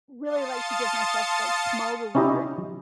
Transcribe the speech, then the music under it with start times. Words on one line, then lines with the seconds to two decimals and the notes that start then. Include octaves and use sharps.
really like to give myself, like, small rewards
0.24 F5 A5 C6 D#6 A6 C#7
2.15 C#4 D#4 E4 G4 D#5